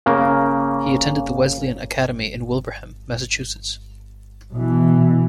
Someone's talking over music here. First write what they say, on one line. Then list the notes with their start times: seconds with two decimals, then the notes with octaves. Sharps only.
He attended the Wesleyan Academy in Wilbraham, Massachusetts.
0.06 C#3 A#3
4.52 B2 E3